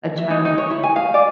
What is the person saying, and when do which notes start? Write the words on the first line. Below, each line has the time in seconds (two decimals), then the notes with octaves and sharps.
a child involved.
0.18 E5
0.30 D#4
0.45 D#4
0.58 C#5
0.70 E4
0.83 G#5
0.96 F5
1.14 D5